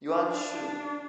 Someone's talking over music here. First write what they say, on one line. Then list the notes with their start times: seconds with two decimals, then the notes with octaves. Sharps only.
Yuan Shu.
0.30 D4